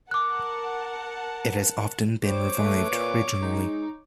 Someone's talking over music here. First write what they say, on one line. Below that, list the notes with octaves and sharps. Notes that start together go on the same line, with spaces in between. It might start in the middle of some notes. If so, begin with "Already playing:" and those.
It has often been revived regionally.
A#4 F#5 A5 D6 F#6
G3 C5 C#5 D6
A3 B4
A#2
G#3 D#4